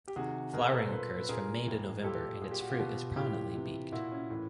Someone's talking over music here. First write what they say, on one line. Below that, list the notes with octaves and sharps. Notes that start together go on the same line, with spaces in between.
Flowering occurs from May to November and the fruit is prominently beaked.
G4
C3 D#3 F#4 G#4
B2 G#4 A#4
A4 B4
C5
A#2 A4 B4
B4
A#2 G#4 A#4
A2 E3
A#4
A#2 G4 A4
A#2 G#4
G4
F#4
F4 G4
B2
A2 E3 F4 G4
C3 E3
A#2 E4 F#4
C#4
A2 E3